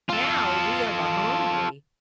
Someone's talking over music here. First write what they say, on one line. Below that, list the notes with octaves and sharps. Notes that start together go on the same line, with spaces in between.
"Now we of are hungry."
F4 A4